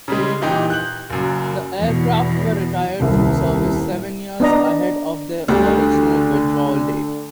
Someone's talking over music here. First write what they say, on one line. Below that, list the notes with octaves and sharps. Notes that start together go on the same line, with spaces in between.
The aircraft were retired from service seven years ahead of their original withdrawal date.
C#3 G3 G#3
A#2 E3 D#4 G4
F#6 G6 F#7
F#1 F#2
E2 B2
D#1 C2
B3 D4 D#5 A#5
D2 D3 G3